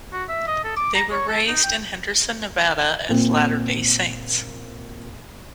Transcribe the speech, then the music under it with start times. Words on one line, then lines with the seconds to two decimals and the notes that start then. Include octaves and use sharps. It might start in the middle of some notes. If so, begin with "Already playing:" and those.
They were raised in Henderson, Nevada, as Latter-Day Saints.
0.13 F#4
0.29 E5
0.47 D#5
0.64 A4
0.77 D6
0.95 A#5
1.11 C#5
1.28 A4
1.47 D#4
1.63 G5
3.09 A#2 C4